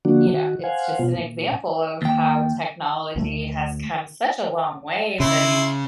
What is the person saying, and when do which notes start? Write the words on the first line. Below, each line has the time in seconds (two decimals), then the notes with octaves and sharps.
you know, it's just an example of how technology has come such a long ways and
0.05 D3 F3 A#3 D4 F#4
0.30 D#3 F#4
0.64 C5 F5 F#5 G#5
0.99 B2 B3 F4
1.16 A#2
2.02 D#2 G5
3.16 D2 G3 A3
5.20 C#3 E4 C6